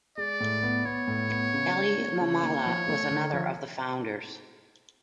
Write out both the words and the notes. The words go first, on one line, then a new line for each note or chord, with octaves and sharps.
Elly Wamala was another of the founders.
G#3 D5
A2
B3
B3 C#5
A2
B3
C#3
D4
A#3
C#3 C#5
A#3
F3
A3
D3
F3